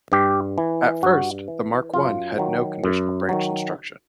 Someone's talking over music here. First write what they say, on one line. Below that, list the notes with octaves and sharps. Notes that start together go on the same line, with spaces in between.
At first, the Mark One had no conditional branch instruction.
G2 G4
E3
G2 F#4
E3
F#2 F4
D#3 F#3
F#2
D#3 F#3